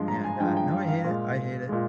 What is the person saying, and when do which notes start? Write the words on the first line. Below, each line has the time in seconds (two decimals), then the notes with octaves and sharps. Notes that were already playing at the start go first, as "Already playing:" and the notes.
And, uh, now I hate it, I hate it.
Already playing: G2 F3 G#3 C6
0.08 A#5
0.24 G#5
0.40 G2 F3 G#3 G5
0.57 G5
0.73 F5
0.89 F5
1.05 A#2 G#3
1.69 A#2 G#3